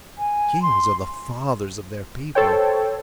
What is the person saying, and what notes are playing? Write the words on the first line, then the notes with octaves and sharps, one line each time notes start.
Kings are the fathers of their people.
G#5
C6
A4 C5 C#5 G5